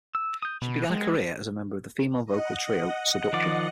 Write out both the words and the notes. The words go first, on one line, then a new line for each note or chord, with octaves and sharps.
She began her career as a member of the female vocal trio Seduction.
E6
D#6 G6
B2 B5
G#3 A#4 F#5 G5
D#5 F#5
D#3 F3 D5